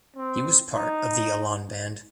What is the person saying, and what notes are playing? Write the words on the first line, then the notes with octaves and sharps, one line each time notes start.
He was part of the Alon band.
C4
D#4